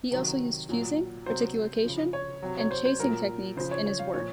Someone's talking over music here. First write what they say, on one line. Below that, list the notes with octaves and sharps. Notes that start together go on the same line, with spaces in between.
He also used fusing, reticulation and chasing techniques in his work.
C3 D#3 F#3
A#2 F#3
C3 F#3 C5
C#3 F3
C#5
C3 F#3
C#5
C5
C5
A#2 F#3 A#4
C#3 F3 C5
C#5
C#5
F5
A#2 F3 C#5